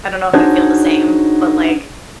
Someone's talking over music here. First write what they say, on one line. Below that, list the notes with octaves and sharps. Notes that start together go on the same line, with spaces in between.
I don't know if you feel the same, but, like,
D4 D#4 F#4 G#4 C5 C#5